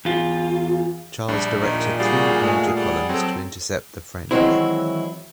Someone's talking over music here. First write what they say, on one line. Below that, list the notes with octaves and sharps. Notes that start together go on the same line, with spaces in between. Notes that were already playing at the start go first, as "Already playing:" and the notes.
Charles directed three major columns to intercept the French.
E2 F4
A#1 G3 D4
A#2 D#3
G3 F#4 G#4 F5
G#3 A3
G3 G#4 F#5
F#3 C4 A4
D#3 E3 F#3 G#3 C4 E4